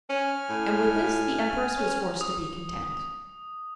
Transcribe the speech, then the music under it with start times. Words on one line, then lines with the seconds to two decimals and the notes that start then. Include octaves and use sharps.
And with this the empress was forced to be content.
0.10 C#4 G#5 F6
0.49 A2
1.77 C#4
2.21 D#6